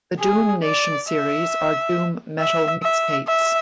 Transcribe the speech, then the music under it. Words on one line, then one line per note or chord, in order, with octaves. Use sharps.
The "Doom Nation" series are doom metal mixtapes.
G#4
D5
E5
E5
E5
E5